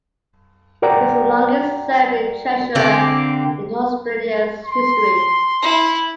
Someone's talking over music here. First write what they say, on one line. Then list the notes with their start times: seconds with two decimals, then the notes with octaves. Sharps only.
He is the longest-serving Treasurer in Australia's history.
0.82 F#4 A#4 D5 F#5 G5 A#5
2.75 D3 A#3 C4 G4
4.65 C6
5.62 E4